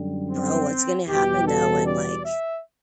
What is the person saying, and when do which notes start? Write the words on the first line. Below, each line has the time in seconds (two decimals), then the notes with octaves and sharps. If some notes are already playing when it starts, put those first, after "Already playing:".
Bro, what's gonna happen though when, like
Already playing: F#2 D3 G3
0.30 C4
1.08 E2 B2 G3 G4
1.47 A4
1.86 D5
2.25 E5